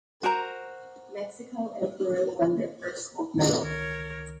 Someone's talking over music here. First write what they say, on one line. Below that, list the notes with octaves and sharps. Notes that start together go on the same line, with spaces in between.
Mexico and Peru won their first gold medal.
F#4 A#4 C5 A#5
C#2 D#3 A#4 C#5